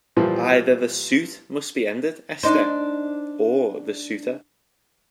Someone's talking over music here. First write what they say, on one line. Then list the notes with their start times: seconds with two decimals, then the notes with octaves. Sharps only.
Either the suit must be ended, Esther - or the suitor.
0.17 A#2 E3 F3 G3 A#3
2.43 D4 D#4 C5